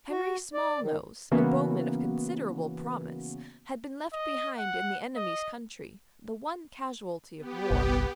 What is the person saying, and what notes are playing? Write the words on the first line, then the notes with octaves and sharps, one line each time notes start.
Henry Smallnose, a bowman of considerable promise, had been left behind in the enemy's country, the one casualty of war.
F#4
D5
D#3
C#3 E3 A#3 B3 C#4 F#4
D#5
F#5
D#5
B3 G4
G1 C2